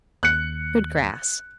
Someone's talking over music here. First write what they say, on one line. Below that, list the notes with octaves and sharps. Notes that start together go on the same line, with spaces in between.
Good grass.
D#2 F#6 C#7